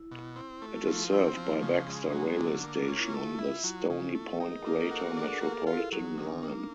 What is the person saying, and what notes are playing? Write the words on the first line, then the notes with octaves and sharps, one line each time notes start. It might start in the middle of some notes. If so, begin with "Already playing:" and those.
It is served by Baxter railway station on the Stony Point greater-metropolitan line.
Already playing: E4
B2
C4
A3 F4
F#4
F4
F3
C4
F3
C#3
G#3
F#3
D3
A#3
C#4 F4
E4
F4
A3
E4
F#3
C#3
A3
B4
D#4 G#4 A#4
A4
A#3 A#4
A4 B4
F#4
D4 G#4 A#4
G#4 A#4
A#3
G4 A4
F4
E4
F#3 D#4
D#4
D#3 D4
A#3 C#4